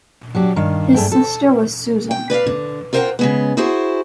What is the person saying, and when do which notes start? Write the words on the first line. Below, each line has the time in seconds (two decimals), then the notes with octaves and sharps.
His sister was Susan.
0.35 F#3 D4 G4
0.56 G2 D#3 F5
0.94 G2 A3 G#4 G5
1.12 A4
2.11 G5
2.30 B4 D5 E5 F5
2.47 D3
2.93 F4 A#4 C5 D#5 F#5 G5
3.19 C#3 G#3 B3
3.57 E4 F#4 G#4 C5